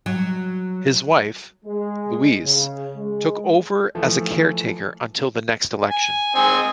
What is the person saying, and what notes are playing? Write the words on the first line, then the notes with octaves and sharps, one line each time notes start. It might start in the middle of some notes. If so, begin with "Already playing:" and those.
His wife, Louise, took over as a caretaker until the next election.
F#3
G#3
C#3
G#3
E3 F3 A3
G#5
C4 D#5 G#5